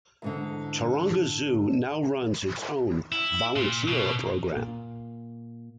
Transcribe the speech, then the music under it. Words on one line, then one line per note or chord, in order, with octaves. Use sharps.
Taronga Zoo now runs its own volunteer program.
E2 G#2 D3
E4
A#2
B2
A#2